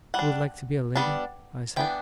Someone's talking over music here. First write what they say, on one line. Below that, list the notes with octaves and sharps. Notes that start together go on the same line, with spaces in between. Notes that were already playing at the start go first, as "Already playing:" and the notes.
'You would like to be a lady?' I said.
G3 D4 F#5
G3 B3 D4
E3 B3 D4 G5